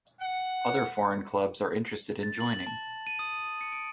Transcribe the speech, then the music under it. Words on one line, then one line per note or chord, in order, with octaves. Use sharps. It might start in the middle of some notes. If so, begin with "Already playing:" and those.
Other foreign clubs are interested in joining.
F#5
A6
F#7
A5
D#7
D#6
C#7
D7